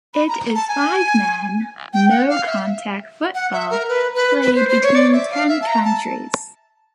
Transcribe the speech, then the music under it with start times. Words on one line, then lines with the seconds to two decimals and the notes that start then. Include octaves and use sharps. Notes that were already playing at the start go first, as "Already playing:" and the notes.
It is five man no contact football played between ten countries.
0.14 B5
0.28 A#5
0.55 A5
0.68 G#5
1.93 G5
2.10 F#5
2.29 F5
2.47 E5
3.35 F#5
3.53 E5
3.71 A#4
3.89 B4
4.15 B4
4.42 B4
4.55 C5
4.69 C5
4.83 C#5
4.95 D5
5.13 E5
5.31 F5
5.49 E5
5.62 A5
5.67 A#5
5.85 A5